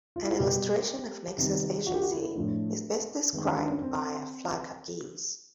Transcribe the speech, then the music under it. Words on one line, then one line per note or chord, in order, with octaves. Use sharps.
An illustration of nexus agency is best described by a flock of geese.
F4
E4
F4
B2 G3 B3 G4
C3 D#3 G3 B3
F#4
G4
F#4
E4
A2 F3 A3 D4
D#3 G#3 B3
C#4
D4
C#4
C4